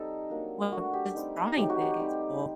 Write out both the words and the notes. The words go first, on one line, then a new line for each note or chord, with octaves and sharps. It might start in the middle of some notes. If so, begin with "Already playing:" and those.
Well, just drawing things o
Already playing: G3 C4 D#4 A4 D#5
F#3 A#3 D4
A3 D4 F#4
G4
G3 C4 D#4
F#3 A3 C4 D#4 G4
F#4
G4
G3 C4 D#4